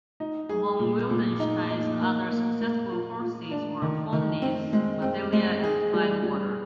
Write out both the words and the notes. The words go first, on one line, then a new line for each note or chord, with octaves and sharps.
Among Wildenstein's other successful horses were Pawneese, Madelia, and Flying Water.
D#4
G#4
A#2
A#2
D#4
D#4
A#3
A#3
A#3
F4
F4
D4
D#3
D#3
C4
G#3
C4
G#3
G#4
G3
G3